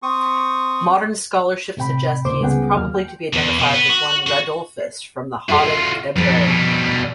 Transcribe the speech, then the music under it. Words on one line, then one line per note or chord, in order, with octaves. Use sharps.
Modern scholarship suggest he is probably to be identified with one Radulfus from Hodenc-en-Bray.
C4 C#6 D#6
A2 C3 G5 B5
C#2 A#3 C5 D6
C#2 G3 B3 G#4 F#5 G5
D#2 F#3 A#3 F6
G5
E2
B2
B3
F#4
F#4
F4 F#4 A4 D5 E5
G#2 F3 G3 A5
B2 G3